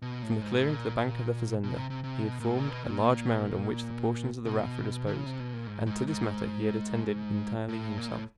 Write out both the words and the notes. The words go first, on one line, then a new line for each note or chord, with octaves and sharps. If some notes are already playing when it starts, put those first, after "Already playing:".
From the clearing to the bank of the fazenda he had formed a large mound on which the portions of the raft were disposed, and to this matter he had attended entirely himself.
B2
A2
G#2
A2
A#2
B2
C3
C3
C3
B2
A#2
A2
A#2
B2
A#2
B2
D3
C#3
C3
B2
A#2
G#2
G#2
G#2
A2
A#2
A2